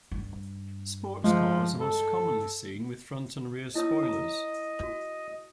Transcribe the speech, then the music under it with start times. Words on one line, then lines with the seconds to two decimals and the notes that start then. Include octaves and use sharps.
Sports cars are most commonly seen with front and rear spoilers.
0.12 G2
1.24 F3 G#3
1.80 A4
3.75 E4 C#5 D#5 D#6
4.03 A#5
4.83 F#4